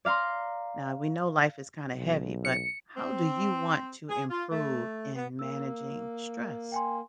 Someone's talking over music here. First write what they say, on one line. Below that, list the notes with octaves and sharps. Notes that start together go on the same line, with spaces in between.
now, we know life is kinda heavy, but how do you want to improve in managing stress?
D5 F5 A#5 C6
B1
C#7
C4
G#4
F4
A3
B3
A#3 E6
G5 G#5 C6